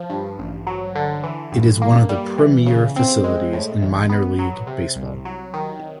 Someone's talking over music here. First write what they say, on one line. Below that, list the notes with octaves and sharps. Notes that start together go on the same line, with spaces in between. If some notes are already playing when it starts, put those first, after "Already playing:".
It is one of the premier facilities in minor league baseball.
Already playing: F3
G2
A1
F#3
D3
E3
G2
A#3
G3
E3
C#3
C4
G#3
A2
A1
B3
F#3
C3
C2
F#3
D#3